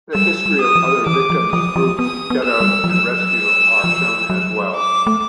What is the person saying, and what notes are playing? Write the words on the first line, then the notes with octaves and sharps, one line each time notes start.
The history of other victim groups, ghettoes and rescue are shown as well.
G3 E6
G3
D#6
F3
E3 D6
F3
F3 D#6
F3
B3 D#6
B3
E6
G3
F3
F#3 E6
F3
F#3
D6
A3